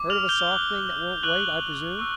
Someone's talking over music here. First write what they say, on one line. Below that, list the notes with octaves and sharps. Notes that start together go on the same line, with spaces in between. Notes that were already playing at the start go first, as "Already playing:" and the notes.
Heard of a soft thing that won't wait, I presume?
Already playing: D6
F6 F7
G6 G7
D6 F#6
C#6 E6 F#6 G6 F#7
C#6 E6